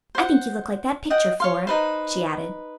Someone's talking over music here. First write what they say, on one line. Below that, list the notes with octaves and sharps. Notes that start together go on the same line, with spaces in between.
"I think you look like that picture, Flora," she added.
C5 F#5
D#5 F#5 G5
C#5 F5 C6
D#4 B4 C5